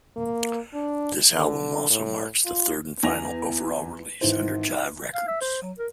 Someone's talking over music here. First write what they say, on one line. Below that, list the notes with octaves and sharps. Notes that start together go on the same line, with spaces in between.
This album also marks the third and final overall release under Jive Records.
A#3
D4
D3
A2
F4
E2 G#5 A#6 F7
G#1 E3 C5
F5
E5
C5
F#3
A#4